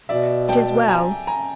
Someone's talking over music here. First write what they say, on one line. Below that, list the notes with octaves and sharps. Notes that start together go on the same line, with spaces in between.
It is well.
B2 D5 E5
G5 A5
G#5 A#5
G#5 A#5